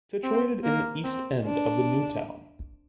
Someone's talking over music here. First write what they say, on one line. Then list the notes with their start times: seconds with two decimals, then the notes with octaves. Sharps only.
It is situated in the east end of the New Town.
0.23 C4
0.63 A#3
1.04 C4
1.45 D4